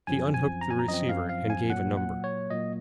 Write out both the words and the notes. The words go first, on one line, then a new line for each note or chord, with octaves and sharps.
She unhooked the receiver, and gave a number.
F#2 F3 C4 G#5
G#5
A#5
G#5
A#5
F#2 F3 C4 D#5
F5
F5
G#5
A#2 F#3 A#3 F#5
F#5
C#5
A#2 F#3 A#3 D#5